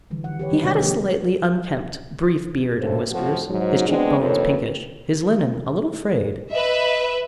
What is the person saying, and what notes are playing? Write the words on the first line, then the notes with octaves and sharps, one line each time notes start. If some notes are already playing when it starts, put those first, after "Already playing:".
He had a slightly unkempt, brief beard and whiskers, his cheek-bones pinkish, his linen a little frayed.
D3 E3 G3
D#3 F#5
G4 B4 C#5
D#3 G3 B4
C3 G#3 D4 C#5 D#5
F3 A#3 D4 G4
D2 C#3 A4 C5
F2 A2 F3 F#4
G#2 F#3
G#3 B3 C4 D4
F2 D#3 A#3 A4 B4 C#5
B4 D#5 E5